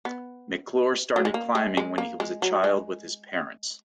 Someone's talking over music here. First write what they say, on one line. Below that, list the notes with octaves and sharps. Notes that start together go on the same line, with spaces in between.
McClure started climbing when he was a child with his parents.
B3
F#3
G#3
A#3
G#3
G#3
A#3
G#3
F#3
G#3